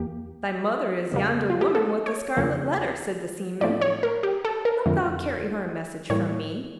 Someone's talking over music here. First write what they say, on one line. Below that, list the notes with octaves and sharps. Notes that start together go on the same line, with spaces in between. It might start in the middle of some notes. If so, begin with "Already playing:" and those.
"Thy mother is yonder woman with the scarlet letter," said the seaman, "Wilt thou carry her a message from me?"
Already playing: E2 E3 A#3 G4
E2 C#3 G3 A#3
F4
G4
A4
C#5
E2 C#3 F3 A#3
A2 F3 A3 D5
C#5
A#4
G4
A4
A#4
F2 D3 F3 A3
A2 E3 G3 A#3 C#5